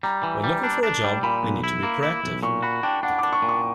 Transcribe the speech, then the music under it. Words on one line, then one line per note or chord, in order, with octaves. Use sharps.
When looking for a job we need to be proactive.
G3 A#5
E3
G3
D4
D4
G3
A#2 B5
B1
E4
A#3
E4
B1
A#2 C#6
F#4 B5
D4 G5
D4 F#5
D4 D6
C#6
A#2
C#6